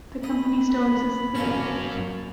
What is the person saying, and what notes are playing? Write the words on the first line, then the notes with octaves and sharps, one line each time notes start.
The company still exists today.
D#5 B5
F#2 A#3 C#4 A5 C#6